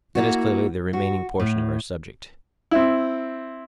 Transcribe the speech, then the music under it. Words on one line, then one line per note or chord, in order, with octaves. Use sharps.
That is clearly the remaining portion of our subject.
A#3 E4 F#4
F#4
A2
C4 E4